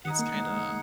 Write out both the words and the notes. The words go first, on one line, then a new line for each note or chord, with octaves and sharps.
it's kinda
D#3 D#4 G#4 F#5
A#3
G#3
G#3